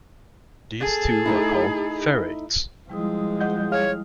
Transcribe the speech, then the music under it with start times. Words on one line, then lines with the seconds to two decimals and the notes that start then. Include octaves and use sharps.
These too are called ferrates.
0.81 G#4 A4
1.26 A3 D#4 E4
2.89 F3 G3 G#3 E4 D#6
3.40 D#5 F#5 G6
3.72 G#4 C#5 F5 F6